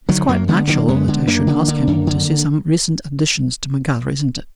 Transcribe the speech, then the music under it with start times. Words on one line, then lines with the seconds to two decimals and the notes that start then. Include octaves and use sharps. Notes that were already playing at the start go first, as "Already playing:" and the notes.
It's quite natural that I should ask him to see some recent additions to my gallery--isn't it?
0.09 D3 D#3 F#3
0.28 F#2 F#3 A#3
0.48 D3 G#3 B3
0.68 D3 F#3 A#3
0.88 F#2 G#3 B3
1.08 D3
1.27 F#2 A#3 D4
1.47 D3
1.68 D3
1.87 F#2
2.07 D3